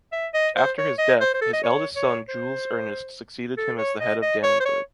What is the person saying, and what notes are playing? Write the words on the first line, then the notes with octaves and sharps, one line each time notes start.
After his death, his eldest son Jules-Ernest succeeded him as the head of Dannenberg.
E5
D#5
C5
C#5
D#5
C5
C5
A4
D#5
C#5
C#5
C5
A4
C#5
D#5
D#5
C#5
C5
C#5